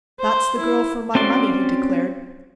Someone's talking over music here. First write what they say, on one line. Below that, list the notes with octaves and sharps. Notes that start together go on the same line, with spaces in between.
"That's the girl for my money," he declared.
C5
E4
C4 C#4 F#4 D5 C6